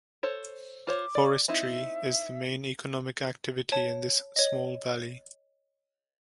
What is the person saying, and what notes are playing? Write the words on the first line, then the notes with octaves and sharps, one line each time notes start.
Forestry is the main economic activity in this small valley.
A4 C5 C#5
F4 C5 C#5 D6
D5
C4 D#4 E4 E5
C#5 A5
C#5 D#5